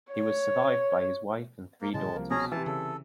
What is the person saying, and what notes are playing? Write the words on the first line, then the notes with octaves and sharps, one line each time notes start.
He was survived by his wife and three daughters.
C#5
A#3
A2 C#3 E3 G#3 A5
C2 F3 A#3
B2 C#4 G#4 A#5
C3 E3 A5
C#3 A4